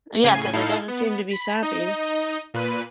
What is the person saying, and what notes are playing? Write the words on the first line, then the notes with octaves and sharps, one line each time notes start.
Yeah, 'cause it doesn't seem to be stopping.
A2 C#3 G#5 G#6 C7 D#7
A2 D#4 E4 A4 F5 C7
B3
B5 B6
D#4 D#5
A#2 B4 D#7